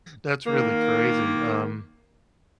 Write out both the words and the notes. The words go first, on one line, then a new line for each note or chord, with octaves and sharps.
that's really crazy, um
D#3 A#3